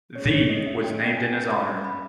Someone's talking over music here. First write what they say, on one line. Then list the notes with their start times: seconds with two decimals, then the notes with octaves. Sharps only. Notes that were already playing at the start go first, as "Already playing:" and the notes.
The was named in his honor.
0.15 C#4 G#4 C#5
0.33 C#5
0.49 D#5
0.66 E5
0.84 G5
1.17 G#5
1.51 B5
1.68 B5
1.84 B5